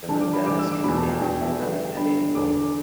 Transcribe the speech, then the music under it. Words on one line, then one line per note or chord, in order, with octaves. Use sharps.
The Menendez campaign has denied any involvement.
G2 E3 A5
D6
B5
G2 E3 D6
E6
D6
E2 B2 B5
A5
G5
E2 B2 G5
E5
G2 D3 B4
E5
G5
G2 D3 B5
E2 D3 D6